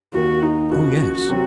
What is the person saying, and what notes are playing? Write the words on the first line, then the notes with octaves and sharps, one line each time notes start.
"Oh, yes!"
D#2 D#3 A#3 F#4
D#4
C#2 C#3 F3 A#3 F#4
C3 F#3 C4